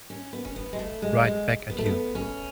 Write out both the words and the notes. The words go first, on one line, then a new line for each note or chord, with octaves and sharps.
Right back at you.
C#4
B3
C#4
B3
G#3
A3
G#3
G#3
B3
A3
B3
C#4